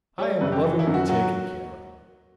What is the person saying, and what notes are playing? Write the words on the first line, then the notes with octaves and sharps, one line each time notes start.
I am lovingly taken care of.
G3 C#5
F#2 B4
G4
E3
E4
F#2
F#4
F#3 F#4